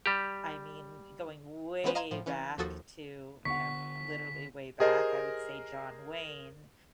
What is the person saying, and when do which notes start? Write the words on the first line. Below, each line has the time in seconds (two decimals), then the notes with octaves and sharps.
I mean, going way back to, you know, literally way back, I would say John Wayne
0.06 G3 G4
1.84 E3 G#3 B3 C#4 B4 C5
1.95 D#5 F5 A#5 C6 G#6
2.11 A2 F3
2.26 E3 C#4
2.58 D#2 F3 F#4 A4 D#6 A6
3.45 D3 B3 F#5 C#6 B6
4.80 G4 G#4 A#4 C5 D#5